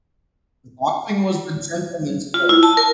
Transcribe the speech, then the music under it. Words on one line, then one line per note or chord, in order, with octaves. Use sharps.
boxing was the gentleman's sport.
F4
E4
A5
A#4